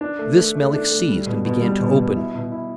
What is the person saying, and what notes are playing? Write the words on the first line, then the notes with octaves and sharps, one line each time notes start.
This Melick seized and began to open.
D4
A3
A3
A3
D4
A3
G3
B2
B2
G3
B2
B2
E4
B2
E4